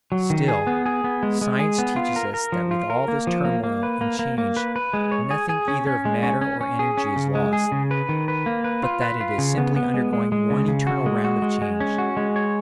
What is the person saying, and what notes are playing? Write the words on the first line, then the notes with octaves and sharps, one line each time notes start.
Still, science teaches us that with all this turmoil and change nothing either of matter or energy is lost, but that it is simply undergoing one eternal round of change.
F#3
D#3
G#4
B3
G#4
B3
G#3
G#3
G#4
B3
F4
A#4
A#4
F3
F4
A#4
A#3
F3
A#3
A#3
B4
A#3
A#3
A#3
B4
B4
G#3
C#5
G#4
G#4
C#4
C#4
G#3
C#4
C#4
C#4
G#4
C#4
C#3
G#3
G#4
C#3
B4
D#3
B4
A#3
B4
F4
B4
F4
C#3
B3
B3
G#3
G#3
G#3
C#3
C#3
F#4
G#3
F#4
G#3
G#3
C#4
F#4
G#3
C#5